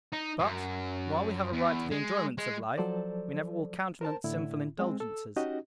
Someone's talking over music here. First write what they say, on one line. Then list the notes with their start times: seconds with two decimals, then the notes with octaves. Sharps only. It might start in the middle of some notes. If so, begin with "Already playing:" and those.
But, while we have a right to the enjoyments of life, we never will countenance sinful indulgences.
0.13 D#4
0.40 F#2
1.52 E2
1.91 G#3
2.38 G#3
2.78 F3 F#3 A4 C5 D5
4.01 A#4 C5 A5
4.24 A2 D3 E4
4.79 G#3 C4
5.00 A4 E6
5.36 C#4 D#4 F#4 G4 D#5